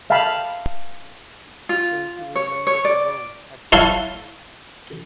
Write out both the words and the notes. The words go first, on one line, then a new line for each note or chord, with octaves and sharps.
Don't you remember the home I promised you?
E5 F5 G5 A5 B5
F4
C#5
C#5
D5
E4 C#5 F5 F#5 A5 C6